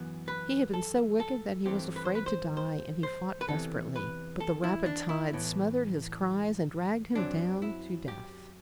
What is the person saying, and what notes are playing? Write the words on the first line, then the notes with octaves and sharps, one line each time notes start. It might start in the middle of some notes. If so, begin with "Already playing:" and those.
He had been so wicked that he was afraid to die and he fought desperately, but the rapid tide smothered his cries and dragged him down--to death.
Already playing: F#2 E3 B3
B4
A4
A4
G2 E3 A3 C4 G4
B4
C5
B4
C5
C5
C5
B4
E2 C3 E3 A4
B4
A4
E4
D4
E4
A2 E3 B3
F#2 F#3 C4 D4
E4
G4